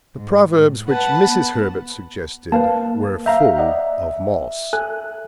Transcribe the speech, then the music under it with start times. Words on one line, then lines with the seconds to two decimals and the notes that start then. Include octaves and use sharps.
The proverbs which Mrs. Herbert suggested were full of moss.
0.16 G#2
0.54 A2
0.88 B4 F#5 A5 B5
1.27 B3
2.52 A#3 B4 F5 A5
3.26 E5 F5 A#5 G6
3.58 D5 D#5 F#5
4.73 A4 G#5 F#6